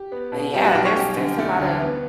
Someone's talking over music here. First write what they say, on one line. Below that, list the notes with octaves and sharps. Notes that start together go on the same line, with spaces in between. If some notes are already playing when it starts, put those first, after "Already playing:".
but, yeah, there's there's a lotta
Already playing: G4
B3
B2
G3 G4 G5
F#4 F#5
B1 G4 G5
C#5 C#6
C#4 G4 G5
D3
A3
D2
B3